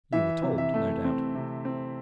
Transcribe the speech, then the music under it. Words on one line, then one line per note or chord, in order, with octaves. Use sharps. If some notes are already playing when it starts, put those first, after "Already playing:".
"You were told, no doubt."
E3 E5
C3
E5
A3
C4
C3
C4